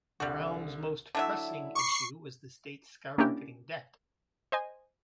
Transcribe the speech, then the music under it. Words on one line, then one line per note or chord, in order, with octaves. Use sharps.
Brown's most pressing issue was the state's skyrocketing debt.
C2 D3 G3 F#4
D3 F#3 E4 E5
B5 C#6 D6 C7
A#3 C#4 D4 E4 G4
C5 D#5 G#5